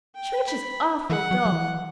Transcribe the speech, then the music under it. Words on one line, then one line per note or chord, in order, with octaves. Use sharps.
Church is awful dull.
G5
B5
E3 F#5
F#3
F#3
E3